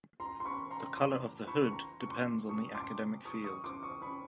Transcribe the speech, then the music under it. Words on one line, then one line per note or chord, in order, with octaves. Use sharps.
The color of the hood depends on the academic field.
A#5 C6
C6
B5 C#6
A#5 C6
C6 D6
B5 C#6
C#6
A#5 C6
C#6
C6 D6
C#6 D#6
C6 D6
C#6 D#6
C#6 D#6
C6 D6
C#6 D#6
B5 C#6